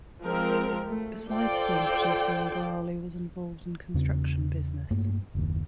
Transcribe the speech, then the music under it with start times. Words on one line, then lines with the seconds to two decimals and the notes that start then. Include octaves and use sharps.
Besides film producing Bharali was involved in construction business.
0.22 F3 G#3 C4 A#4
0.84 A3
1.29 F4 A4 C5 D5 G5
3.94 E2 C#3 C4
4.91 G2 A3 A#3
5.35 F#1 D#2